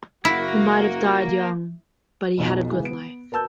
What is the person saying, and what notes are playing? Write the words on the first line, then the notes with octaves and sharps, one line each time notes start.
He might have died young, but he had a good life.
F#1 A#3 E4 F#4
B1 F2 B2
C#3 E3 G#3
B3 D7
A#4 B4 A5 E6 G6